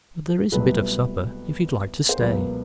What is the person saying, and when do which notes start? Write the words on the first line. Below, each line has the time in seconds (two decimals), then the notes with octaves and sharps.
But there is a bit of supper, if you like to stay.
0.52 C2 B2 F#3 A3 B4
2.09 C5
2.20 C#2 B2 F#3 A#3 B4